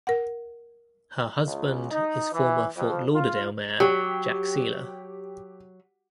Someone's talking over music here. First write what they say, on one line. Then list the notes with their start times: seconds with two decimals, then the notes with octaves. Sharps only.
Her husband is former Fort Lauderdale mayor Jack Seiler.
0.07 A#4 F#5
1.45 C#2
1.91 D#4
2.32 E3
2.77 F2
3.13 F4
3.80 F#3 G4